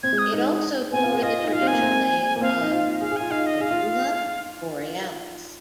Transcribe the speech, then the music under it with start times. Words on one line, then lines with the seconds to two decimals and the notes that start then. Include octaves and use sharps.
It also bore the traditional name of "Alula Borealis".
0.03 C4 G#6
0.13 G#3
0.18 D#6
0.33 D#4
0.92 C4 G#5
1.03 F4
1.12 G#4
1.22 F4 D#5
1.44 D#4 G#5
1.52 F4 F5
1.62 C4
1.67 G#5
1.73 A#3
1.82 C4
2.36 A#3
2.41 C4 F5
2.61 D#4
2.72 F4
3.01 G#4 F5
3.11 G#4
3.16 F4 G#5
3.31 D#4 F5
3.46 D#5
3.61 G#4 F5
3.71 F4